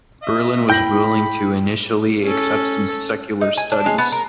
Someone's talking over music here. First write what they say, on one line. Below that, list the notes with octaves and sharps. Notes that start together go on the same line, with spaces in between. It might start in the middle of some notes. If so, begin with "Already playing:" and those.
Berlin was willing to initially accept some secular studies.
D#5 E5
E4 G5 B5 G6 A#6 F#7
C#4 A4
D#4
G#5
D4
G#3
B3
A#4